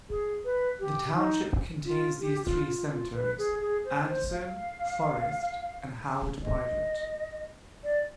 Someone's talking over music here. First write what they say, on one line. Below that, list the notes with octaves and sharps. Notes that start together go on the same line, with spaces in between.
The township contains these three cemeteries: Anderson, Forest and Howard Private.
G#4
B4
G4
D#4
F4
G4
F4
F4
F4
B4
G#4
G#4
C5
C5
F5
D#5
D5